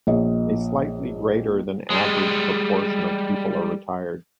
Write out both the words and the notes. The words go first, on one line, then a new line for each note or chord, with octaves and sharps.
A slightly greater than average proportion of people are retired.
A#1 C#5 D#5
G3 G#3